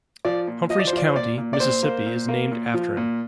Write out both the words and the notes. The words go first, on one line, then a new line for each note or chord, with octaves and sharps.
Humphreys County, Mississippi, is named after him.
F3 D5
A#2
F3 D#5
D5
C5
F3 D5
C5
A#2 D5
A#2
D5
A#2 C5
A#3
A#2
A#3
A#2
F3
A#2